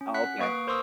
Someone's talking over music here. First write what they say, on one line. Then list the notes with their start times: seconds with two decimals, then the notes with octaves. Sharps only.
Oh, okay.
0.01 C#4
0.14 F#5 F#6 B6
0.40 A#3 B4 C#6 D#6 C7 D7
0.67 A#4 C5 C6 C#6 D#6 E6